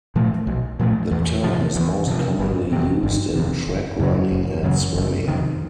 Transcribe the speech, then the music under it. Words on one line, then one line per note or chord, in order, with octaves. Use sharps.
The term is most commonly used in track running and swimming.
A#2 F3 A3
B1
A#2 F3 A3
E2
C3 F3
E2
C3 F3
G1
F2 C3
G1
F2 C3
F#1
F#2 C#3 F#3
F#1
F#2 C#3 F#3
F#1
F2 C3 D#3